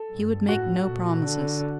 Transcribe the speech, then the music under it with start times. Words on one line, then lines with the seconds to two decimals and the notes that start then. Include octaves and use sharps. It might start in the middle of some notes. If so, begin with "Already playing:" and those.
He would make no promises.
Already playing: A4
0.11 G2
0.48 A2 F#4
0.85 A#2
1.23 D3